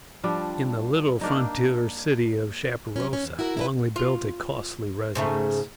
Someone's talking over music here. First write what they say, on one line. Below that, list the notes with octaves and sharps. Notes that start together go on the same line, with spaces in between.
In the little frontier city of Chaparosa, Longley built a costly residence.
F3 G3 D4
A#3 D4 D#4
F#3 C#4
D#2 C#4
E2
E4 F#4 A#4
E4 A#4 B4
F4
G#2 C#3 A3